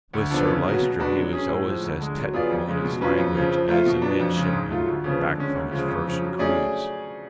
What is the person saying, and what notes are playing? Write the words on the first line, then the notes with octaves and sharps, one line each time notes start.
With Sir Lyster he was always as technical in his language as a midshipman back from his first cruise.
D2
D3 F3 B3
C#3
F#3 B3 F#4
B2
G#3 D4 F#4 B4
F#3
C#4 G#4
A2
F3 G#3
D2
D3 G#3
F#3
B3 F4 G#4 D5
F2
C#3 G#3
B2
F#3 C#4 F4 B4
F2
C#3 F3
F3
A3 F4
B2
F#3 B3 D4
F2
C#3 G#3
G#2
F#3 A3 F4
D2
C#3 F3 B3
D3
G#3 C#4
D2
C#3 F3 G#3
F2
C#3 F3
F#3
A3 C#4 G#4 D5